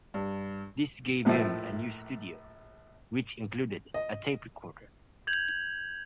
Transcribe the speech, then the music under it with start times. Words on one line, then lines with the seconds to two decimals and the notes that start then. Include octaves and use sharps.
This gave him a new studio, which included a tape recorder.
0.14 G2
1.25 A#1 A2 F3 A3
3.94 D#5
5.27 G6 G#6 F7 F#7